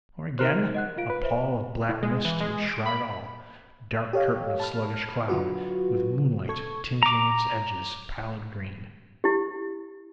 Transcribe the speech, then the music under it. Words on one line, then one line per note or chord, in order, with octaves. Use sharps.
Or again, a pall of black mist would shroud it all, dark curtain of sluggish cloud with moonlight tinging its edges pallid green.
D#4 A#4 C5 F6 F#6
D#5 F#5 F#6
F4 F5 D7
B4
C5 E5
A2
G#3
E3
G#3
D7
B5
G4 A4 C#5 D#5 F5
A5 B5 F6
D3 F#3 F4 F#4 B4
A4 C#6 G#6
A#5 D6
E4 G4